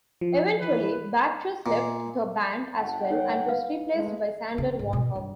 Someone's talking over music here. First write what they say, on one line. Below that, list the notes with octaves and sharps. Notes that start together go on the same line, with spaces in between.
Eventually Bagchus left the band as well and was replaced by Sander van Hoof.
F3
E3 B4
A#2
G1 F#5 G5 A5
D#4 C#5
B4 F5
G#3 A3
C#3
G#2
B2
G2